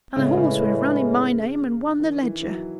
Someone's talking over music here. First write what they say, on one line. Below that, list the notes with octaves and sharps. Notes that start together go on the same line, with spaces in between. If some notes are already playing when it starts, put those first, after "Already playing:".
And the horse would have run in my name and won the Leger!
A2 C#3 G#3 C#4 E4 B4
C#3
D#3
E3
E3
F#3